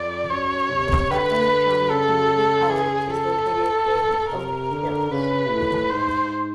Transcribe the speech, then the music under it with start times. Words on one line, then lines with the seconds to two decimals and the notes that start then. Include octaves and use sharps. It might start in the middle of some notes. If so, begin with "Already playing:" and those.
Butler County Community College is located in Oak Hills.
Already playing: F2 D5
0.30 F#2 C#5
0.70 C3
1.10 D3 B4
1.90 C#3 A4
2.70 G#4
3.11 A4
4.30 C3 A#4
4.71 D3
5.11 C#3 B4
5.50 A2
5.90 G#2 C5